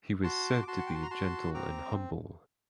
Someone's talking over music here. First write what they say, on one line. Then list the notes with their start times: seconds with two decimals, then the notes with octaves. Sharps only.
He was said to be gentle and humble.
0.24 F#4 A5 C6
0.62 D6
0.68 F#4 A5 C6
0.79 F#5
0.87 G5
0.95 A5
1.03 A#5
1.11 F#4 A5 C6
1.54 C4 A#5 D6